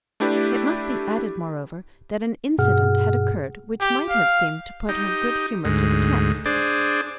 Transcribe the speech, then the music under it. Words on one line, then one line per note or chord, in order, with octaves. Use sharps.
It must be added moreover that an incident had occurred which might have seemed to put her good-humour to the test.
A3 D4 E4 G4 B4 D5
G2 B2 G#4 F#5 F6
G4
F5
D#4 G4
D2 G#2
D4 G#4 C5 D5